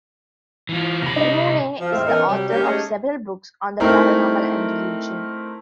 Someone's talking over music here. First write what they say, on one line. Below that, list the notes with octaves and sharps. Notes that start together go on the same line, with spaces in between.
Brune is the author of several books on the paranormal and religion.
E3 F4
C3 B5 A#6
D#4
F3
E2 A2 G#3 C4 E5 F5
E3 B3 C#4 D#4 A#4
C3 F#3 G3
G3 A#3 C#4 D4 G4
G#3 A3 C#4 D#4 G4 G#4
A3 C4 D#4 E4 A#4